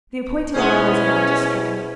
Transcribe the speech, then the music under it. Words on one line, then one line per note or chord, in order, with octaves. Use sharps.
The appointed hour was about to strike.
B2 B3 C#4 E4 G#4 C5